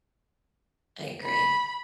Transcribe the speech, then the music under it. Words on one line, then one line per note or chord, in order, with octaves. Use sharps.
I agree.
B5